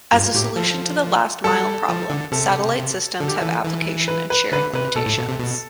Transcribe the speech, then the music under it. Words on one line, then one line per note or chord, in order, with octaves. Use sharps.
As a solution to the last-mile problem, satellite systems have application and sharing limitations.
G2 F4
F4
A2 G4
F3 A4
G3 A4
F3
D3
C3 A4
D3 A4
G4
A4
E3
E3
B4
B4
D3 B4
C3 B4
B2 A4
A2
B2
C3
B2